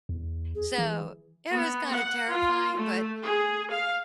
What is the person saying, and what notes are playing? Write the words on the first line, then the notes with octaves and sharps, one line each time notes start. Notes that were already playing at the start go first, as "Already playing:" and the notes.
So it was kinda terrifying, but
E2
G#4
E3
B3
F#5
F4
A3
G#4
F5